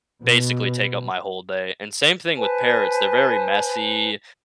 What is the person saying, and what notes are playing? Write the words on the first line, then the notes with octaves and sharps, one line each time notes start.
basically take up my whole day, and same thing with parrots, they're very messy,
B2
B4 C5 G#5 A5